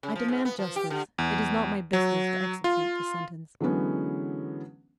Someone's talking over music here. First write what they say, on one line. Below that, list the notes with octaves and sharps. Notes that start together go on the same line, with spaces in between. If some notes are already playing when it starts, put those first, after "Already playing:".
I demand justice; it is not my business to execute the sentence.
C#3
F3
G#2
B3
F3
G4
D3
E2
F#3
F4
D3 E3 F#3 G#3 B3 C#4